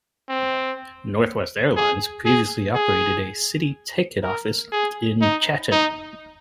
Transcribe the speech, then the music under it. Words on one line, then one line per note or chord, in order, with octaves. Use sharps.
Northwest Airlines previously operated a city ticket office in Chatan.
C4
G#4
G#4
G#4
A#4
G#4
D#4
D#4